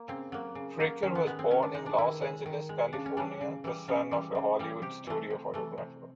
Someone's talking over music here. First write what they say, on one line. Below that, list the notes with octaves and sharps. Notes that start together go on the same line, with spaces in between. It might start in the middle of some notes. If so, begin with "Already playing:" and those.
Fraker was born in Los Angeles, California, the son of a Hollywood studio photographer.
Already playing: A#3
C#3 C4
F#3 A#3
C#3
F#3 A#3
D#3 C#4
B3
G#3 B3
C4
D#3 C#4
D4
G#3 D#4
D4
D#3 E4
G#3
D#3
G#3
C#3 D4
C#4
E3 G3 D4
C#3
E3 G3
C#3 C#4
E3 G3
C#3
E3 G3
C3 G4
E3 A3
C3
E3 A3
C3